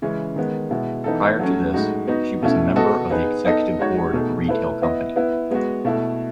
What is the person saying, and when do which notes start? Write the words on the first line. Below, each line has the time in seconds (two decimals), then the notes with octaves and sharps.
Prior to this she was Member of the Executive Board of a retail company.
0.02 C#3 E3 G#3 C#4
0.36 D#3 G#3 B3
0.70 B2 G#3 B3 E4
1.04 E3 B3 D#4 A4
1.39 F#3 A3 C#4
1.73 A2 G#3 D#4 F#4
2.08 B3 D#4 F#4
2.42 B2 A3 C#4 E4
2.76 B3 F#4 A4 D#5
3.10 B3 D#4 G#4 B4
3.45 B3 D#4 A4 D#5
3.78 G#3 D#4 F#4 C#5
4.13 B2 A3 D#4 G#4
4.48 A3 E4 B4
4.82 B3 E4 B4 D#5
5.16 B3 E4 B4
5.51 G#3 B3 F#4
5.85 B2 A3 E4